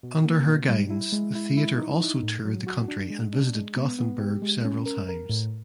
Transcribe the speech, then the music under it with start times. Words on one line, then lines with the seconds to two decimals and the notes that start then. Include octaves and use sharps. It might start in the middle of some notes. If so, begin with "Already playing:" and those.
Under her guidance the theatre also toured the country and visited Gothenburg several times.
0.03 B2
0.25 A#3
0.47 B2
0.69 G3
0.90 E4
1.12 G#3
1.35 E4
1.57 E4
1.78 D#4
2.00 D#4
2.23 A2
2.45 F#3
2.67 F#4
2.88 D4
3.10 G#3
3.33 D4
3.55 G#3
3.76 B3
3.99 B3
4.20 G4
4.42 G#3
4.64 C#4
4.86 A#4
5.08 A#4
5.29 A2